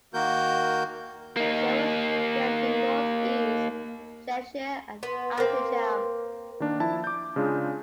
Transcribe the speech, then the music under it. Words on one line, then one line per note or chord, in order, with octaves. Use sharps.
The show was filmed in north east Cheshire and Altrincham.
D#3 A#3 F#4 A#4 G6
A#3 D#4
B3 B4 C6
A#3 C4
D#3 A#3 D4
F3 E4 A5
D6 G6
C#3 G#3 D4 F4